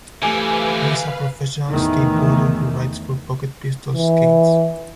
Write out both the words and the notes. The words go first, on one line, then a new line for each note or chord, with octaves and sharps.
He is a professional skateboarder who rides for Pocket Pistols Skates.
E3 F3 A3 G4 A4 B4 F5 G#5
E2 A2 D#3 E3 A3
E3